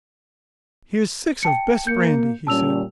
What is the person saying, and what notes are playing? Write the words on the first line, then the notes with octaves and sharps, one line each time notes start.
"Here's six of best brandy," he said.
G5 A5 C#7
A#3 G6 C#7
A#2 G3 C#4 A5 E6 F7